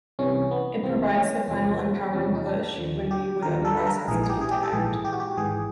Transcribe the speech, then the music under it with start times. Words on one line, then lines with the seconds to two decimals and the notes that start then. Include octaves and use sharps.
It provides the final empowering push when we would otherwise hesitate to act.
0.19 C2 C3 E3 C#4
0.51 B3
0.83 C2 C3 E3 C4
1.16 C#4
1.48 E2 C3 F3 C#4
2.13 E2 C3 F3 C#4
2.35 D#4
2.46 D4
2.78 D#2 D3 F3
3.11 G4
3.42 D#2 D3 F3 A#4
3.65 A4
3.77 B4
3.87 A#4
4.08 A#1 G#2 E3 G#4
4.23 G#4
4.29 G4
4.41 G#4
4.51 G4
4.63 A4
4.73 A#1 G#2 E3 G#4
5.05 G4
5.13 F#4
5.20 G4
5.37 G#1 G#2 E3 G#4